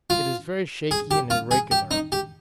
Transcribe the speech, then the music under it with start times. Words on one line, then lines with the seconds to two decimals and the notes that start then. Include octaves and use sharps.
It is very shaky and irregular.
0.10 F4
0.91 G#4
1.11 G4
1.30 F4
1.51 G#4
1.71 G4
1.91 D#4
2.12 G4